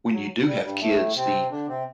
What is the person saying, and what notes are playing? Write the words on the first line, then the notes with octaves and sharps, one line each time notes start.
when you do have kids, the
F#3
G2 G3
G2 G3
A2 A3
C3 C4
D3 D4
C3 C4